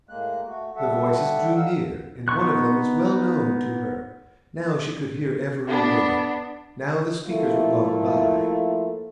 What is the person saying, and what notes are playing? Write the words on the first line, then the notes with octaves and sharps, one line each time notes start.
The voices drew near, and one of them was well known to her; now she could hear every word; now the speakers were gone by.
A2 G#3 A#3 F#6
A3 F#4
G3 A3 A4 E5 F#5
D#4 F5 F#5 E6
B3 D#4 C6 C#6 F#6
B3 D4
F3 A3 A#3 E4 F4